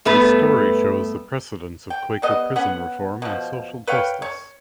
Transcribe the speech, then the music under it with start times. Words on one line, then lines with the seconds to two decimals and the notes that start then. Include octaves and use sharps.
The story shows the precedence of Quaker prison reform and social justice.
0.05 G2 A3 B3 B4
1.90 G5
2.22 G3 B3 D#5
2.56 B3 C#4 F#5
3.22 B2 F3
3.87 B4 C#5 F5 G5
4.22 C#5